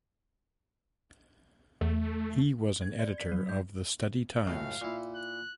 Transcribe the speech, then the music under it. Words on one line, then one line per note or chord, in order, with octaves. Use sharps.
He was an editor of the "Study Times".
E2 A3
G#6
D5
B6
F#3
G6
C#2 F#2 A2 F5
A#2 E4
F#6